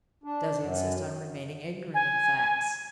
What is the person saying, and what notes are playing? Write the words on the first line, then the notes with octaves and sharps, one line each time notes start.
Does he insist on remaining ignorant of the facts?
D4
F#2
G#5